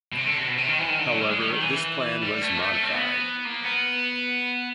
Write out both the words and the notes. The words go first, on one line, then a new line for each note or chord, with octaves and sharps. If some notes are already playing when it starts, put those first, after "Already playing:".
However, this planwas modified.
B2
C3
D3
C3
B2
C3
D#3
E3
D#3
D3
F#3
G3
G#3
G3
D#3
E3
E3
G3
A3
A#3
A3
A3
C4
B3
A#3
B3